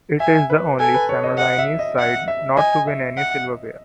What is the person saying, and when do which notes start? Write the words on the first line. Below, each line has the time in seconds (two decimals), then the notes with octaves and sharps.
It is the only Sammarinese side not to win any silverware.
0.20 E5 G#5
0.50 B4
0.80 A4 G#5
0.94 B4
1.09 C#5
1.23 D#5
1.38 D#5 F#5
1.59 E5
1.79 D#5
1.98 E5 F#5
2.28 E5
2.57 D#5 G#5
2.87 E5
3.18 F#5